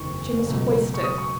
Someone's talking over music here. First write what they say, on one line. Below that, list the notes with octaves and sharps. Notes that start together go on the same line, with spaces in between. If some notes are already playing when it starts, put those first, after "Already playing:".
She must hoist it.
Already playing: F#1 E2 D#3 A3 C#6
C#2 B2 F#3 A3
C#6
D#6
C#6